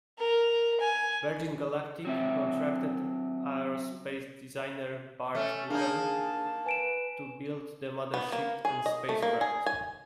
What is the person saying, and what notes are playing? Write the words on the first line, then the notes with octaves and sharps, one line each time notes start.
Virgin Galactic contracted aerospace designer Burt Rutan to build the mothership and spacecraft.
A#4
G#5
F#3 C4 E5
A3 C#4 E5
A#3 D4 D#4 G#4 A5
B4 G#5 D7 E7
B3
A#3
G#4
D#5
A3
A#3
G#4
G#5